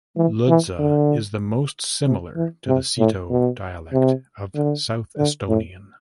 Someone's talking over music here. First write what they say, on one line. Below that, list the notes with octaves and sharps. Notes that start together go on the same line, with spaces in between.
Ludza is the most similar to the Seto dialect of South Estonian.
E3
E3
D3
C3
E3
C3
A2
B2
C3
D3
D3
A2